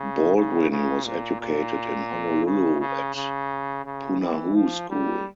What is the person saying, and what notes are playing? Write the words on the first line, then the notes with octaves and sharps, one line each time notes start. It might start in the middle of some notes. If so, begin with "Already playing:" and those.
Baldwin was educated in Honolulu at Punahou School.
Already playing: C#3
C#3
C#3
A#2
A#2
C#3
C#3
C#3
C#3
E3
F3
G3